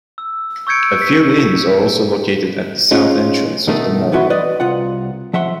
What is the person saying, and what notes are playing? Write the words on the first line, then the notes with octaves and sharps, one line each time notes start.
A few inns are also located at the south entrance of the mall.
E6
C#6 E6 G6 G#6 C#7 D7
B6
G#3 C#4 D#4 F4
B2 D#3 A3 D#4
E3 B3 E4 F#4 E5 C6
B4 D5 D#5
C2 F4 F#5
F3 E5 F#5 C6